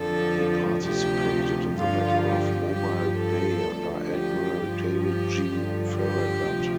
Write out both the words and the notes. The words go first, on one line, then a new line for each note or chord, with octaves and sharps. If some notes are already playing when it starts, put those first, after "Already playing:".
He participated in the Battle of Mobile Bay under Admiral David G. Farragut.
Already playing: F2 D3 F3 A4
D2 C3 F3 G4
G2 D3 F3 F4
G4
G2 F3 G4
A4
D2 D3 F3
G4
G2 F3
G4
G2 D3 F3
G4
D2 C3 F3